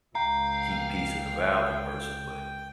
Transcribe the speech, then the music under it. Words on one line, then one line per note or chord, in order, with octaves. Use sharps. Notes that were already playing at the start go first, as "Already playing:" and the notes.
keep peace in the valley person, but
C#2 F5 G5 A#5